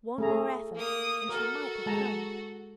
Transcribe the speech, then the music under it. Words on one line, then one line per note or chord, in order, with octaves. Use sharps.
One more effort, and she might have come.
A3 G#4 A#5
A#3 D#6
F#4 A4 A#4
G#3 A5 A#5